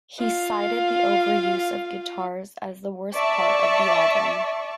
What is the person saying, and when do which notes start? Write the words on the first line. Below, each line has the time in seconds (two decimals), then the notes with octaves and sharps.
He cited the overuse of guitars as the worst part of the album.
0.20 F4 F5
3.14 D5 E5 A5 C#6